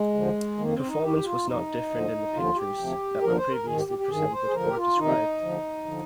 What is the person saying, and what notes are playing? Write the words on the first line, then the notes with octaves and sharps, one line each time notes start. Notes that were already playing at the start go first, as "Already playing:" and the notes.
Performance was not different in the pictures that were previously presented or described.
Already playing: G#3
D#2 D3 F3
F2 D#3 A#3
C4
D#4
F2 D#3 G4
F4
F2 C3 F3 D#4
D2 D3 F3
D#2 D3 F3 F4
G4
D2 C3 F3
D#2 D3 F3 A#4
C5
A#4
G#2 D#3 G#4
G4
G4
G4
G2 D#3 G#4
C5
G#4
D2 D3 F3 A#4
G4
F4
F2 C3 D#3 D#4
D2 D3 F3
D3 F3